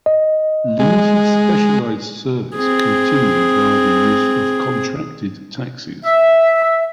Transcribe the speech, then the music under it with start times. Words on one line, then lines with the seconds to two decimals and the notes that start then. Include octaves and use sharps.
Limited specialized service continued via the use of contracted taxis.
0.06 D#5
0.79 G#3
2.56 C4 G#4
6.05 E5